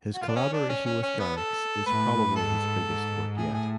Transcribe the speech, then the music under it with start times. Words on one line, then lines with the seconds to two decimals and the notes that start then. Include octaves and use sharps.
His collaboration with Garrix is probably his biggest work yet.
0.14 F#4
0.22 F4
0.28 D4
0.36 C#4
0.53 D4
0.69 C#4
0.86 C#4
1.03 C#4
1.20 B3
1.37 A4
1.86 A2 B4
2.36 G#2 A4
2.87 G#2
3.37 A2 G#4
3.54 G#4